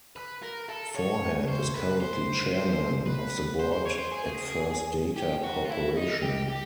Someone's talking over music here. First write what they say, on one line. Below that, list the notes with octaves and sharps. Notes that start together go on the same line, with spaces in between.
Forehand is currently Chairman of the Board at First Data Corporation.
B4
A#4
A4
C#5
C5
B4
C5
C5
B4
C5
C5
C#5
C5
G#4
G4
F#4
F4
E4
D#4
G4
G4